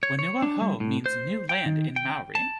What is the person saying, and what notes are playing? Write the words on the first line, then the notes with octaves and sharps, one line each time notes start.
Whenua Hou means "new land" in Maori.
C#5
C#5
D4
G3
A2
C5
G5
D#3
G5
A5